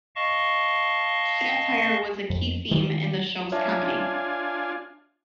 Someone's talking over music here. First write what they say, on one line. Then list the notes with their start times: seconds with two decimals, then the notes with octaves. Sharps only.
Satire was a key theme in the show's comedy.
0.16 D#5 F5 A5 C#6
2.30 F2
2.71 D#3 F3 G#3
3.52 D4 F4 C#5 E5 G#5 A5